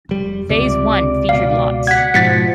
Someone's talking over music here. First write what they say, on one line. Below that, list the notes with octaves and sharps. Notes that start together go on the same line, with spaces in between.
Phase one featured lots.
F1 G3
C#2 C3 D5
C#2 B2 F5
F#5 G#6 B6
G#2 B2 F3 A6 B6 C#7